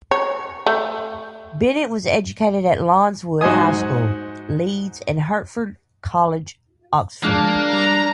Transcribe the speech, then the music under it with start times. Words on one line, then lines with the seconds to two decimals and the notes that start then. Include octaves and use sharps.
Bennett was educated at Lawnswood High School, Leeds, and Hertford College, Oxford.
0.11 C#5
0.66 A3
3.41 G#2 F#4 C5 D#5 G#5 D#6
7.23 F3 G#3 A#3 D4 F#6
7.73 G3 A#5